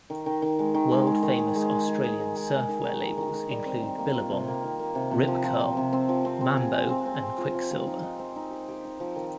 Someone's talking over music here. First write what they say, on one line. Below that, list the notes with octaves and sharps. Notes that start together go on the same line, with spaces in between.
World-famous Australian surfwear labels include Billabong, Rip Curl, Mambo and Quiksilver.
D#3
D#3
D#3
G#3
D#3
G#3
G#3
D#3
G#4
G#3
G#4
G#4
G#4
G#4
G#3
G#3
D#3
D#3
D#3
D#3
D#3
G3
C4
D#3
A#3
F4
C3
A#3
D#3
A#3
C3
C3
F3
F3
C4
C3
C4
F3
C4
C4
G#4
G#4
C4
C4
C4
F4
F3
F3
D#4
D#4
C4
D#4
G4
G4
D#4
F3
D#3